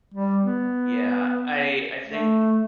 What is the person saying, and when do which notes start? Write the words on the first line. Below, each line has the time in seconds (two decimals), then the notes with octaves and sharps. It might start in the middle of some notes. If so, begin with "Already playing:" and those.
Yeah, I I think
0.14 G3
0.43 B3
2.06 A3